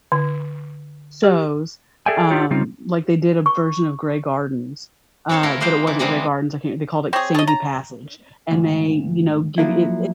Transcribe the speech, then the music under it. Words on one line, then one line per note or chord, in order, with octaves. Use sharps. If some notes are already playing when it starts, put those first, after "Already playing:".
shows, um like they did a version of Grey Gardens, uh, but it wasn't Grey Gardens I can't th they called it Sandy Passage. And they, you know, give it
D3
G4
G#4 A4 D5 E5 G5 G#5
D4 E4 F4 G4 C#5
C#3 G3 C4 D#4 F4
C#6
C4 A4 C#5 F5 A5
A3 E4 F4 A4 A#4
G#3 A#3 F4 C5 F5 G5
E3
C3 E3 G3 G#3 B3 C4
C4 G4 G#4 C#5 G5
G#4 C#5 D#5 A5
A#5
D2 G#2
F3 F#3 A3 A#3 E4